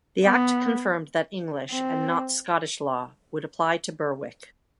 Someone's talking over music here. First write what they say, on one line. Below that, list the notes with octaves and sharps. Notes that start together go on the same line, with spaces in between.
The Act confirmed that English and not Scottish law would apply to Berwick.
B3
C4